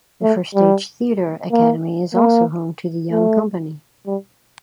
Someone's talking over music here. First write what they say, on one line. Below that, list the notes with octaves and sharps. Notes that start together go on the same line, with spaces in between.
The First Stage Theater Academy is also home to the Young Company.
A3
G3
A#3
A#3
A3
G3